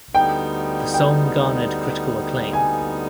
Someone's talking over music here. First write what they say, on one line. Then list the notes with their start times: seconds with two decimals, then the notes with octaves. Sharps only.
The song garnered critical acclaim.
0.15 D2 D3 G3 B3 D#4 G5
0.94 G5
2.53 G#5